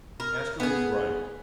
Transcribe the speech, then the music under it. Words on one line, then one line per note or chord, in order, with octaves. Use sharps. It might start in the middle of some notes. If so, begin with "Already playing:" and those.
Astro was right.
A#4
B3 G#4